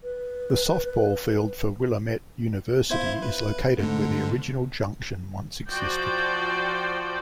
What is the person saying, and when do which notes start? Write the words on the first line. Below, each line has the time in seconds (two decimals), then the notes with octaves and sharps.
The softball field for Willamette University is located where the original junction once existed.
0.03 B4
2.90 B3 E4 C5 E5 F5 G#6
3.22 B4
3.79 G#2 D3 A3 C4
5.70 F3 F#4 C5 D5 G5